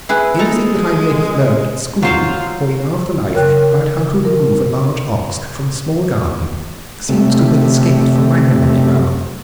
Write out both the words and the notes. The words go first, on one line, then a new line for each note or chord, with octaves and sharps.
Anything that I may have learned at school or in after life about how to remove a large ox from a small garden seems to have escaped from my memory now.
E4 G#4 B4
G#3 D#4 A4 A#5
F#3 F4 C5 F5
C#3 A#4 C#5 G5 F#6
A#4
C3 A3